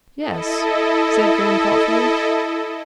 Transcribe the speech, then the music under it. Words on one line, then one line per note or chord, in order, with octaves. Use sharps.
"Yes," said Graham thoughtfully.
E4 A4 D#5